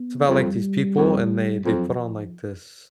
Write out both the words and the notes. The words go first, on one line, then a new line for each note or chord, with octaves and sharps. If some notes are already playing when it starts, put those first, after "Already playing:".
it's about, like, these people, and they they put on, like, this
Already playing: B3
F2 G3
F2
F2 F#3
F3